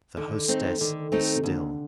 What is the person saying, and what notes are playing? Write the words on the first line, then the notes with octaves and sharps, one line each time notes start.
The hostess is still.
D3 D#3
A3 C4 D#4
D3 D#3
A3 C4 D#4
C3
D#2 D3